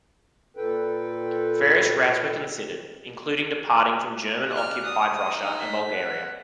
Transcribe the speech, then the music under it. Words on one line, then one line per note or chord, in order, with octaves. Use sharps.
Various routes were considered, including departing from German-occupied Russia and Bulgaria.
A#2 A4 B4 G5
D5 F6 F#6
D#6
D#4
B6
F#5